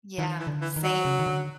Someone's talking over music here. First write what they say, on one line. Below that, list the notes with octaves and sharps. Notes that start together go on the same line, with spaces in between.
Yeah, same.
D#3 E3
E3
D3
E3
D#3
F#3
C#3
D#3
D3